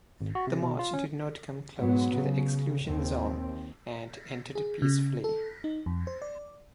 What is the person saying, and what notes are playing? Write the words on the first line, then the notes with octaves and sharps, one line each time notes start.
The march did not come close to the exclusion zone and ended peacefully.
G#1
F#4
C3
B2
F4
C#4
G#2 F#3 B3
C#3
D#2 C4
G#4
C#3
A4
D#4
F2
C5
D5